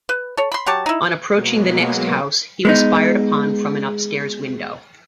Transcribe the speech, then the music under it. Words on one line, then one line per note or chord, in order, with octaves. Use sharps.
On approaching the next house, he was fired upon from an upstairs window.
B4
A4 C#5
B5 C6
F#3 G4 C#5 A5
D#4 E4
B2 F#3 G#3 A#3 B3
G#3 B3 D#4